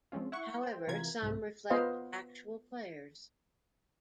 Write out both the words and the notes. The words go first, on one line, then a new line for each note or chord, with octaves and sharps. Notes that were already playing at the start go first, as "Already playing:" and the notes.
However, some reflect actual players.
F3 G#3 C4 C#4 F4
E4 F#5 C#6
C5 G5
C3 E3 F4 A#4 G#6
C2 G#2 C3
B3 F4 B4 C5 D#5 F5